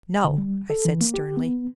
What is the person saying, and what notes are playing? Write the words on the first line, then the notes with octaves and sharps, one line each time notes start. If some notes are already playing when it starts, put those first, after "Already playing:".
"No," I said sternly.
D3
G3
A4
E3
A#3
G4
B3